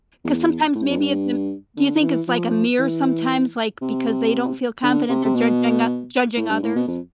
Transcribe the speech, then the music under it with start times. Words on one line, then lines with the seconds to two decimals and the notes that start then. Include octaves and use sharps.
'cause sometimes maybe it's im Do you think it's, like, a mirror sometimes, like, because they don't feel confident they're judging o judging others?
0.25 E2
0.75 A2
0.83 G2
0.90 F2
0.98 G2
1.77 D3
1.96 D3
2.03 E3
2.28 F3
2.79 E3
3.82 C3
4.83 D3
5.09 C3
5.25 C3
5.35 B2
6.37 A2
6.50 G2
6.63 A2
6.76 B2
6.87 F2